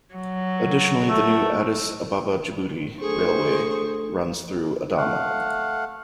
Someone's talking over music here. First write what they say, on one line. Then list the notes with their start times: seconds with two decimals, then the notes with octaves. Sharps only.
Additionally, the new Addis Ababa-Djibouti Railway runs through Adama.
0.14 F#3
1.09 A3
3.01 A3 D4 G#4 A4 C5 C#6
4.98 A3 F5 F#5